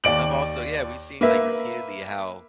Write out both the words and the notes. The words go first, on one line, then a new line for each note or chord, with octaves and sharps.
I've also yeah, we've seen, like, repeatedly how
D#2 D5 D7 F#7
A#3 B4 E5